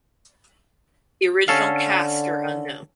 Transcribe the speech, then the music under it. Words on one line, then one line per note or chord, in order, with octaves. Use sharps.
The original cast are unknown.
D3 C#4 A4 F5